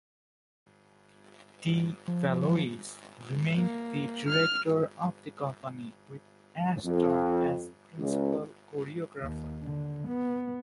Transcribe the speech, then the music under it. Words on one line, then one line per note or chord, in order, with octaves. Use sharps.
De Valois remained the director of the company, with Ashton as principal choreographer.
F3
A#3
F6
F2
C#2
D#2
D3
B3